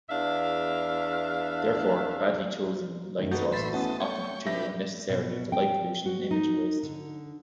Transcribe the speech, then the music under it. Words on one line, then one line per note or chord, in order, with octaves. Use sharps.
Therefore, badly chosen light sources often contribute unnecessarily to light pollution and energy waste.
E2 D4 E5 F5
F#2 D#3 A3
A#3 D#4 F#4 A4 B4 G6
A1 E5 B5 C6 A6
B3 C#4 E4 D#5 A5
C#5 G5 C#6
D4 G4 B4 E5 A#6
B2
G5
F#4
D#4
D3